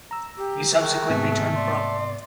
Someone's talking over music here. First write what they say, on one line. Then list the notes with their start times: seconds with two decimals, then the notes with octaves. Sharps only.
He subsequently turned pro.
0.11 A#5 E6
0.38 G4
0.78 D#3 F#4 G#4
1.10 G#2 C3 A3 B3
1.55 D5 C6